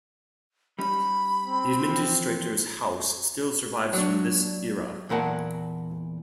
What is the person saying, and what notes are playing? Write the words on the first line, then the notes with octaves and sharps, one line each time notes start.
The Administrator's House still survives from this era.
G3 C#4 D#4 B5
C4
E3 F3
F#3 D4
E2 A#2 A#4 F#5 A5